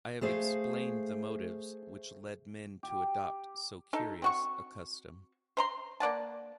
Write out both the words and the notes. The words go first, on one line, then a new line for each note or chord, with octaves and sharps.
I have explained the motives which led men to adopt so curious a custom.
A3 G#4 C5 F5
G4
D#4 A4
C4 F#4 C#6
C5 A#5 C6
A#3 D5 F#5 A5